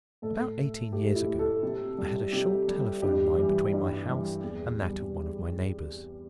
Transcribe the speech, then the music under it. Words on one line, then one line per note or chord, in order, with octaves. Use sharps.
About eighteen years ago I had a short telephone-line between my house and that of one of my neighbors.
A2 A4
A3
A2 G4
E4
A3
A4
C3
G3
C3 G4
G3
G2 G4
E3 G3
G2
E3 G3
E2
C3 G3